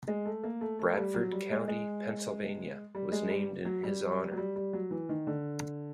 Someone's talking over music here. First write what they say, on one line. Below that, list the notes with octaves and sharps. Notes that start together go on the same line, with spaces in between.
Bradford County, Pennsylvania, was named in his honor.
G#3
A3
A#3
A3
A3
G3
F#3
G3
G#3
G#3
G3
G#3
G3
F#3
G3
F#3
G3
G3
F#3
E3
D#3
D3